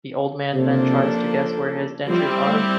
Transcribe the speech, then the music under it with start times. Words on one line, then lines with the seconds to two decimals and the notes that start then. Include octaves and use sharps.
The old man then tries to guess where his dentures are.
0.54 C3 F3 A#3 D4 A4
2.08 F3 G3 C4 E4 G4
2.47 A3